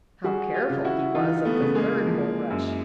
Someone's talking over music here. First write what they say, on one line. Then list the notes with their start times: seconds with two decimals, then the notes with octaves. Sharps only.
How careful he was of the third bulrush!
0.24 G3 F#4 G#4
0.54 F4 G4
0.70 C#3
0.84 E4 F#4
1.15 E3 D#4 F4
1.45 A3 B3
1.61 C#3
1.75 G#3 A#3
2.06 F3
2.51 F#2